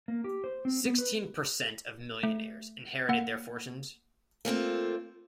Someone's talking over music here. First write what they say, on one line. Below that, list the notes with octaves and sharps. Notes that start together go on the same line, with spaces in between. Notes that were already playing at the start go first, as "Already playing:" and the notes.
Sixteen percent of millionaires inherited their fortunes.
A#3
G4
C5
C4
B3
B4
A3
A#3 F#5
A3 A#3 C4 F4